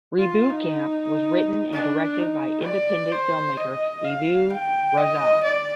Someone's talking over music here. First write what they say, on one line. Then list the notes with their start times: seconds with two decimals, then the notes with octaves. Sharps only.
Reboot Camp was written and directed by independent filmmaker Ivo Raza.
0.19 F4
0.50 D#4
1.73 D4
2.19 D#4
2.65 D5
3.12 C5
3.58 D#5
4.04 F5
4.50 G5
4.97 D#5
5.43 D5